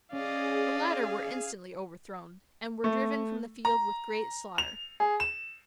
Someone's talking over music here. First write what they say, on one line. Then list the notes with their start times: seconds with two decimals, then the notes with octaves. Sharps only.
The latter were instantly overthrown, and were driven from the field with great slaughter.
0.12 C#4 G#4 D5 D#5 F5
2.84 A3
3.65 A#5
4.58 F7
5.00 G#4
5.20 E7